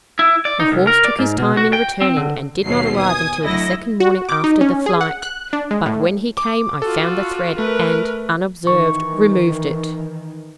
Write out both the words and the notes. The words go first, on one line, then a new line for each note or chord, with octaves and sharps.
The horse took his time in returning, and did not arrive until the second morning after the flight, but when he came I found the thread, and, unobserved, removed it.
E4
D5
D#4
C2
A#4
D5
G#2
B2
F#4
G5
C4
D3
D#2 B2 F#3 C7
G#5 D#6
D2 F#3 E4 D#5 A#6
F#4
D6
D#4
C#4
G#4
F#5
F#6
D4
G#3
A2
D6
F4 F#4 A4
A3 A#4 B4
D#3 E3 C#6